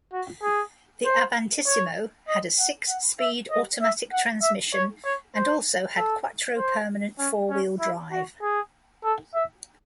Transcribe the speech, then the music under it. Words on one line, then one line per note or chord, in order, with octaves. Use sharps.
The Avantissimo had a six-speed automatic transmission and also had quattro permanent four-wheel drive.
F#4
G#4
C5
C#5
D#5
F#5
F#5
E5
D#5
E5
F#5
E5
C#5
C#5
C5
A4
C5
C#4
C#4
E4
F#4
G#4
A4
E5